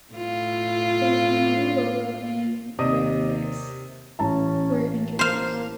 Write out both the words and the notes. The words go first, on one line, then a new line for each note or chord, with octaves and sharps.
A new logo and graphics were introduced.
A2 F4
D#2 C3 D5 D#5 D#6
A1 C#4 A5 A#5
A#3 C5 F5